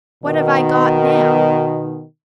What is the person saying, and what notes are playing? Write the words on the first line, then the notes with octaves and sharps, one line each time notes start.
What have I got now?
B2 D#3